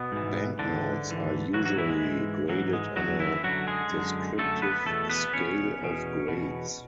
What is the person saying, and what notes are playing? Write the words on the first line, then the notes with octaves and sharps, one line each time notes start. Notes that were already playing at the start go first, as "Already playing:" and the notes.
Banknotes are usually graded on a descriptive scale of grades.
Already playing: B2 B3
G#2 E3
G#2 D3 E3 D4
G#2 E3
G#2 E3 F#3 F#4
F#3 F#4
E3 E4
G#3
G#2 E3
G#2 E3 F#3
G#3
F#2 D3 F#3 F#4
E3 E4
F#2 D3 F#3 F#4
G#3 G#4
F#2 D3
F#2 D3 A3 A4
B3 B4
E2 B2 A3 A4
B3 B4
E2 B2 C#4 C#5
E2 B2
E2 B2